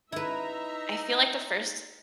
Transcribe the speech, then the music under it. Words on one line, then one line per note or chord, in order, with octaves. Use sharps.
I feel like the first
D#4 E4 B4 E5 A#5